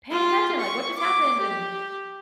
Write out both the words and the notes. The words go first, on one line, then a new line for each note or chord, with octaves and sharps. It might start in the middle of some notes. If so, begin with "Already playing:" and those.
paying attention? Like, what just happened?" And,
F4
C#6
D6
G4